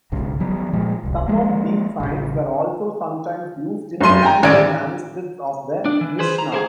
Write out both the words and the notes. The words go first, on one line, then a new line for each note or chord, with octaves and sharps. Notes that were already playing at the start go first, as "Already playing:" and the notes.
Some of these signs were also sometimes used in medieval manuscripts of the Mishnah.
B1 G#2 C#3
E3 F#3 G3 B3
A#2 F3 G#3
D1 C2
F3 G#3 A#3
A1 C#3
F1 F#2 C6 D#7
G5 G#5 A#5
D#1 A1 D5 G#6 D7
D4
E3
G#4 B4 C5
A#5
G#4 A#4 C5